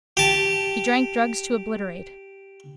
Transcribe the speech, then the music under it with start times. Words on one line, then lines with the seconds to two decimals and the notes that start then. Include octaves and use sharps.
He drank drugs to obliterate.
0.17 G4 A5